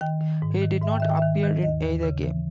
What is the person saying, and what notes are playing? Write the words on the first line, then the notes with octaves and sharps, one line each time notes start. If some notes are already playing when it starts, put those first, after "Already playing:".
He did not appear in either game.
D#3 G5
D#3
G#2
D#3
G#2 E5
G5
D#3 E5
G5
D#3 E5
D#3
D#2 D#5
D#2
C#3
E3